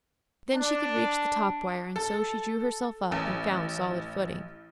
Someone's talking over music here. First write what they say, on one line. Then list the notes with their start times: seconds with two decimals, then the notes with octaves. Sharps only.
Then she could reach the top wire, and so she drew herself up and found solid footing.
0.54 D4
1.96 A4
3.12 A1